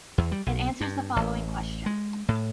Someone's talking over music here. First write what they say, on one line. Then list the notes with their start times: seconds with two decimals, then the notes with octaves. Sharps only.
It answers the following question.
0.18 E2
0.32 G3
0.46 B1
0.81 G2
1.16 A1
1.86 G#3
2.28 A2